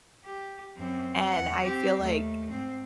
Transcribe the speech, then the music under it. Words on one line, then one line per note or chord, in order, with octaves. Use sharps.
and I feel like
G4
F#2 C4
E2 F#5
C4 G4
D#2 A3
G#2 C4